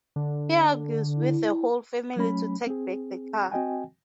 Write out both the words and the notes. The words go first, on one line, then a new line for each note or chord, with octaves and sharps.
He argues with the whole family to take back the car.
D3
E4
F#3 A3 C#4 B5
C4 G#4
C4 F#4 D#5 G5 G#5